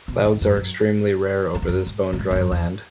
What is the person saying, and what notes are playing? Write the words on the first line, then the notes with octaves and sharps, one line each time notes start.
Clouds are extremely rare over this bone-dry land.
B2
G#2
E2
F#2
F#2
F#2
E2
F#2
G#2
B2
G#2
E2
F#2
E2